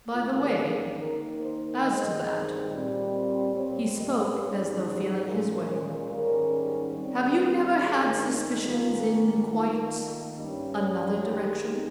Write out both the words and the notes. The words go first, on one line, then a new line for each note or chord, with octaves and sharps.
"By-the-way, as to that"--he spoke as though feeling his way--"have you never had suspicions in quite another direction?"
G#2 D#3 A#3 C#4 F4
G4
G#4
D#3 A#3 D#4 A#4
C5
G2 D#3 G#3 C4 D#5
A#2 G3 C4
A#2 G3 C4 C#5
D#5
G#2 G3 C#4 C#5
C5
A#2 G#3 C#4 A#4
A#4
G#2 D#3 G3 C#4 A#4
D#3 G3 C4
G#2 D#3 G3 G#4
G#2 D#3 A#3 C#4 F4
D#3 A#3 D#4 F4
G2 G3 C#4
D#3 G#3 D#4 G4